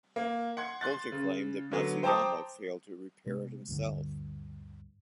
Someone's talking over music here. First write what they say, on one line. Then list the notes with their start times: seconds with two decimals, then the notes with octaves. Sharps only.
Poulter claimed that Matsuyama failed to repair it himself.
0.16 A#3
0.57 F#5 C6 G#6
0.81 C6 F#6 A6
1.12 C#3
1.71 D3 F#3 B3
2.03 C5 G5 A5 A#5 D6 D#6
3.26 C3 G#3 B3
3.68 D2 G2 D3